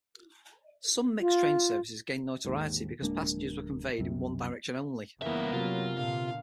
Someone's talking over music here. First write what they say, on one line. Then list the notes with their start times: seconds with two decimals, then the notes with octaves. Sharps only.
Some mixed train services gained notoriety because passengers were conveyed in one direction only.
1.20 F4
2.45 D#2 G#2
3.02 D1 G#3 A#3 D4
3.98 C2 F#2 C3
5.22 F1 G2 C#3 E3 A#3 B3 E5
5.53 F#2 C3 F#3 C#4 F4
5.98 A#2 D3 F5